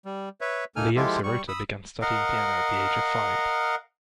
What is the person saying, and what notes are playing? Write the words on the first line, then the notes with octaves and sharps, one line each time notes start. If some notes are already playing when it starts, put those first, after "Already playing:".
Leo Sirota began studying piano at the age of five.
G3
B4 C#5 E5
D2 A#3 D#4 A4 G#5 F6
F3 G#3 E4 F4 G4 A4
G3 C#6
B5 D#6 E6
A#4 D#5 F5 F#5